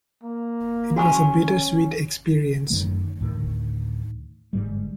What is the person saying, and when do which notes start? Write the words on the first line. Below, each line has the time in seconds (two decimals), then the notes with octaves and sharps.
It was a bittersweet experience.
0.23 A#3
0.96 C#4 F#4 G#5 C#6
2.70 F#2 D#3 A3
3.20 D2 A2 D#3
4.53 G1 G#2 G3